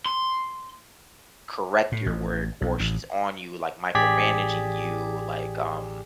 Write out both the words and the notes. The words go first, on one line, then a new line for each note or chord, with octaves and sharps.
correct your work or she's on you, like, micromanaging you? Like, um
C6
A2
A1
B1
A1
A1 G4 G#4 D5 G#6 B6